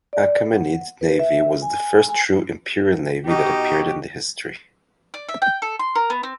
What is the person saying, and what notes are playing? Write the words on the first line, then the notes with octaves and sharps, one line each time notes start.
Achaemenid navy was the first true "imperial navy" that appeared in the history.
D5
F#5
B4
E5
G#5
G#5
B2 D#4 F#4 G4
D5
E5
G5
A4
C6
A#4
B3
C4